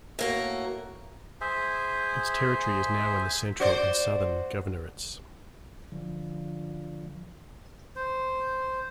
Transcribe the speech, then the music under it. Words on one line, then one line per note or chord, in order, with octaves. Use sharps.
Its territory is now in the Central and Southern Governorates.
A2 A#3 F#4
G#4 C5 E5
F#4 C5 D5
D3 F3
C5